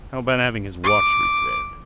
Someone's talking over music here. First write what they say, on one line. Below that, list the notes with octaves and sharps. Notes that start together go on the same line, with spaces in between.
"How about having his watch repaired?"
D6